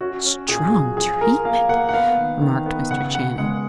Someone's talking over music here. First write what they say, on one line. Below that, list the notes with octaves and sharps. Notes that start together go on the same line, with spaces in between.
"Strong treatment!" remarked Mr. Channing.
C#4 F#4
C#4
A#2 G#4
F#3 G#4
F3 G#4
F3 A#4
A#3 F5
A#3 F#5
F#5
B3 F5
D#3
D#3
B3
C#3 F#5
B3 F#5
G#3 F#5